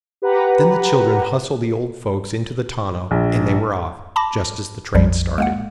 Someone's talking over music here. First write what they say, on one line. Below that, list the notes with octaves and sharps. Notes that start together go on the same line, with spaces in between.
Then the children hustled the old folks into the tonneau and they were off, just as the train started.
G4 B4 F#5 A#5
A#1
A5 B5 D6 A#6
A#1 F2 F3 G3
G#3 A#3 F#5